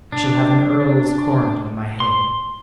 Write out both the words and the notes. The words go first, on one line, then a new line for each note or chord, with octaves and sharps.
I shall have an earl's coronet on my head.
D4
C6